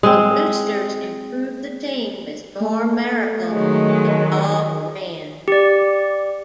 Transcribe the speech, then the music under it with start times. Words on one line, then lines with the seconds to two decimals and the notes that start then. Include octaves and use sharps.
The Roosters improved the team with Norm Maracle and Bob Wren.
0.03 G#3 C4
2.60 A3
3.48 D#3 F#3 G#3
5.48 G4 D5